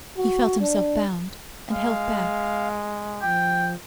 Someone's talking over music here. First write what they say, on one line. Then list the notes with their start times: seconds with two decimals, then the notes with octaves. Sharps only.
He felt himself bound and held back.
0.17 F#4
0.60 D4
1.72 G#3 F5
3.22 F3 G5